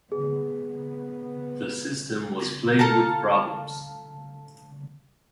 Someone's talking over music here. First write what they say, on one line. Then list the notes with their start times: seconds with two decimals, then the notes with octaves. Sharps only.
The system was plagued with problems.
0.12 B3 G#4
2.79 A4 F5 A5 A#5